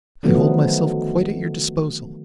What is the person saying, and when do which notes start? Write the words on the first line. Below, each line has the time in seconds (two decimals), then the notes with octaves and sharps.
I hold myself quite at your disposal.
0.23 D3 D#3 F3 F#3 A3 B3